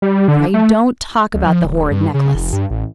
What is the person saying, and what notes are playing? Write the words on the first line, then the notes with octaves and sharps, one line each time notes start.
"Pray don't talk about the horrid necklace."
G3
D3
A3
C#2
F3
D1
G2
C#3
F1
G2
A1